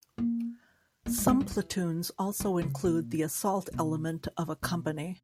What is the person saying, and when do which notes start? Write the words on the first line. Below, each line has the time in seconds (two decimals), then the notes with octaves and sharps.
Some platoons also include the assault element of a company.
0.18 A#3
1.06 A#3
1.18 G#3
1.29 G#3
1.41 F#3
1.51 E3
2.40 D#3
2.62 C#3
2.84 A#2
3.73 B2
4.62 B2